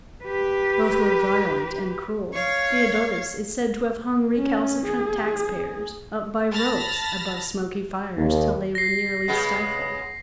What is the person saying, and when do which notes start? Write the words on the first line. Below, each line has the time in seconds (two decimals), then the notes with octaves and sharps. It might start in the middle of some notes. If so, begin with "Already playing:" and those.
Both were violent and cruel: Theodotus is said to have hung recalcitrant tax-payers up by ropes above smoky fires till they were nearly stifled.
0.24 G4 B4
2.34 C#5 F5
4.35 C#4
4.86 G#4
6.51 A5 B5 F6 A6 A#6
8.17 D#2
8.75 A#6 C7
9.28 C#3 G#3 B3